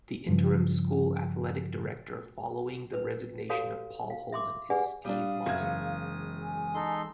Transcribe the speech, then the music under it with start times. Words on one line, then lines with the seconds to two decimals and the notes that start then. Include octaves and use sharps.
The interim school athletic director following the resignation of Paul Holan is Steve Mossing.
0.29 G2 C#3 F3
2.93 B4
3.49 F#4 G4 A4 C#5 F5 A5
4.10 F5
4.32 E5 C6 D6
4.70 G4 G#4 B4 D5 F#5 G#5
5.05 G3 D4 F5 D#6
5.46 F#1 F#4 E5 G#6
5.61 E3 G#3
6.41 G#5
6.74 D#4 A4 C6